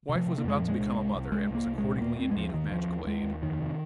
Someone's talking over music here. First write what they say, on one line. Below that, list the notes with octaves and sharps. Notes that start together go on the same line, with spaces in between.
His wife was about to become a mother, and was accordingly in need of magical aid.
C3
F3
C3
A#3
F2 G#3
A#2 F3
G#3
C2
C2
C2
C2 G#3
C2 A#3
C2
G#3
A#2
G#3
D#2 A#3
D#2 C4
G#3
D#2 F3
D#2 D#3
D#2 F3
D#2
D#2 G#3
D#2
F2 D#3
C3